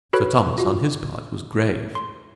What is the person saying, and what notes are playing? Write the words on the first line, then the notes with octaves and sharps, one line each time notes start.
Sir Thomas, on his part, was grave.
F#4 A4 B4 C#5 B5 F#6
F4 F#4
C6